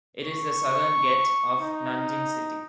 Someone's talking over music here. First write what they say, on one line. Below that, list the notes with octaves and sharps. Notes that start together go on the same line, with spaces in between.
It is the southern gate of Nanjing city.
C#6
D#4